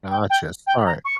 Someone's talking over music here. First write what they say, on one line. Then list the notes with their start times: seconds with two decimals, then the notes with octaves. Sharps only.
Gotcha, smart.
0.11 G5
0.30 G5
0.66 G5
0.85 A#5
1.04 C#6